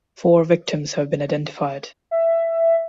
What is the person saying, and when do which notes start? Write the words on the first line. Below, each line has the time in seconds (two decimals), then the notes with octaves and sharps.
Four victims have been identified.
2.11 E5